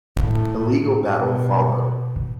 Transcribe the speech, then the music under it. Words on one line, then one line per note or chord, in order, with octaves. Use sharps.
A legal battle followed.
A2
B2